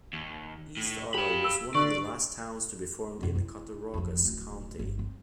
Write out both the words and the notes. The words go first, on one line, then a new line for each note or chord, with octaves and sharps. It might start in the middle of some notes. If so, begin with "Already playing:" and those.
East Otto was one of the last towns to be formed in Cattaraugus County.
D#2
A2
G4 F5 B5
E6
D3 D5 C#6
F#2 B2
E4
F#1 F2
D1
G1
C4